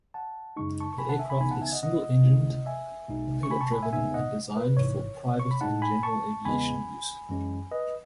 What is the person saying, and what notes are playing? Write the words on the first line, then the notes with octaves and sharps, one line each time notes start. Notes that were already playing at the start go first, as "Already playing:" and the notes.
The aircraft is single-engined, propeller driven and designed for private and general aviation use.
F#5 A5
F#2 C#3 G#3 D#4 C#6
A5 C#6
C#6
G#5 B5
F#5 A5
E5 G#5
G#5 B5
C#2 C#3 E3 B3 D#4 G#5 B5
F#5 A5
E5 G#5
D#5 F#5
D#5 F#5
C#2 C#3 G#3 C#4 E4
E5 G#5
B1 B2 G#3 D#4
C#6
G#5 B5
A5 C#6
G#5 B5
E5 G#5
E2 C#3 G#3 B3 D#4 E5 G#5
D#5 F#5
B4
A1 G#2 E3 C#5
C#6
B5
A2 G#3 D#4 F#5 A5
G#5 B5
A5 C#6
E2 C#3 G#3 B3 G#5 B5
F#2 E3 G#3 C#4
B4 D#5